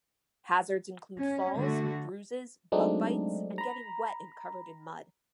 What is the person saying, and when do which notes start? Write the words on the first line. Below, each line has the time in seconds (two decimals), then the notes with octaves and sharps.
Hazards include falls, bruises, bug bites and getting wet and covered in mud.
1.19 C#4
1.56 D3 A3 F#4
2.72 F#3 G#3 A3 C4 D4 D#4
3.58 A#5 B5